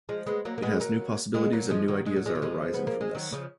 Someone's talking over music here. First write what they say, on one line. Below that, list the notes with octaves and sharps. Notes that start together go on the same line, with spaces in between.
It has new possibilities and new ideas are arising from this.
F3 G#3
G#3 B3
F#3 A#3
A#3
G#3 B3
F#3 A#3
G#3 B3
F#3 A#3
F3 G#3
D#3 F#3
G#3
F#3
F3 G#3
F#3
F3 G#3
B3
A#3
G#3
D#3 F#3
C#3 F3